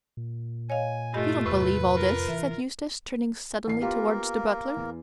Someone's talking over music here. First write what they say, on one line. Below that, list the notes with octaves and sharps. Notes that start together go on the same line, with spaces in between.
"You don't believe all this?" said Eustace, turning suddenly towards the butler.
A#2
C#5 D#5 F5 G#5
G2 A3 F4 G4 D#5
E2 A2 C3 B4
F2 F4 A#4
E3 E5
A1 F5 C7
A#3 B3 F4 G4 A#4
E2